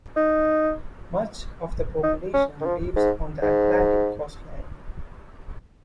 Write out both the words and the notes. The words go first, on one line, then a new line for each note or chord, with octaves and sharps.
Much of the population lives on the Atlantic coastline.
D#4
D#4
C#4
D#3
F3
G#2
G#2